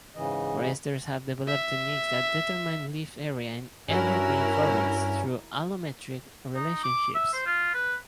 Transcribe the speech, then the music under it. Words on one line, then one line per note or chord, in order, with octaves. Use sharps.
Foresters have developed techniques that determine leaf area in evergreen forests through allometric relationships.
G#2 C#3 E3 D#5
E5
G2 C#4 E4 F#4 A#4
D#4
D6
E5
C5
F4
B4